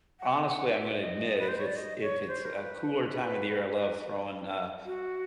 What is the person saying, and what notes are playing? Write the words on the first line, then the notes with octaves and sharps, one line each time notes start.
honestly, I'm gonna admit, if it's if it's a cooler time of the year, I love throwing uh,
F#5
F#5
E5
D#5
B4
C5
C#5
D5
D#5
C#5
C5
A#4
B4
F#4